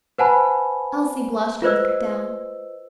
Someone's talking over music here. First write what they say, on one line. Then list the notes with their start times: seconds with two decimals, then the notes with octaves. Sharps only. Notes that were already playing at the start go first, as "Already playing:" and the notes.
Elsie blushed and looked down.
0.18 B4 C5 F#5 G#5 A5 B5
1.62 F4 B4 C5 D#5 E6